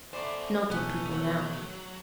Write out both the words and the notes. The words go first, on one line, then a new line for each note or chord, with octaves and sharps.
"Not eat people now."
D2 B2 A3 C5 D5
B2 F3 A3 B3 C#4
F#3